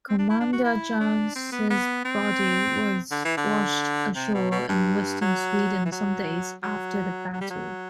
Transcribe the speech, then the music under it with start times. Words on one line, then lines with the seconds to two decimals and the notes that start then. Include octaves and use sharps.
Commander Jones' body was washed ashore in Western Sweden some days after the battle.
0.09 C4
0.19 D4
0.30 E4
0.40 D4
0.53 F#4
0.64 E4
1.00 D4
1.35 C4
1.52 B3
1.70 B3
2.05 C4
3.11 D3
3.25 E3
3.37 D3
4.16 C3
4.34 B2
4.51 B2
4.69 G2
5.21 F#3
5.85 E3
5.92 F#3
6.63 F#3
7.33 F#3
7.41 G3
7.50 F#3